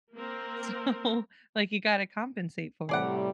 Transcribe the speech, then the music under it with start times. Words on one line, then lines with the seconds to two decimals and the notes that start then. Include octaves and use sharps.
so, like, you gotta compensate for it.
0.15 A#3 C4 A#4
2.89 A2 C3 G3 G#4 D5 F#5